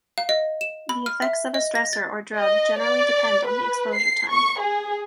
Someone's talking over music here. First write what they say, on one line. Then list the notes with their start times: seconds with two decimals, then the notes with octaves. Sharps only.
The effects of a stressor or drug generally depend on the exposure time.
0.18 F5
0.29 D#5
0.61 E7
0.89 B5
1.06 F6
1.22 E5
1.54 D#5
1.75 A#6
1.93 A6
2.36 D#5
2.79 D5
3.46 B4
3.96 C7
4.30 C#6
4.60 G#4